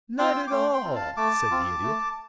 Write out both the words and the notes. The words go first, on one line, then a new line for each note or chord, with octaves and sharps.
"Not at all," said the Idiot.
C4 F4 G5 C6
D6
A3 G5 C6
G5 C6
C4 F4
F5 A5
A3 A5 D6
C4 F4
A3